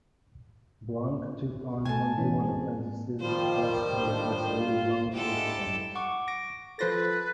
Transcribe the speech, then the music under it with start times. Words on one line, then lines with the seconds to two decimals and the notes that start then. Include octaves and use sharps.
Blanc took on twenty-one apprentices across the Brasserie Blanc Restaurants.
1.85 B2 A3 G#5 A5
2.18 E3 C#4
2.41 G#3 C4
3.21 D#3 F3 G3 F4 C5
4.02 D4
4.56 F4
5.12 D3 G#3 E4 G4 A4
5.95 F#5 C#6 D6
6.28 A#6 D7
6.79 F3 F4 A4 B4 C5 A6 A#6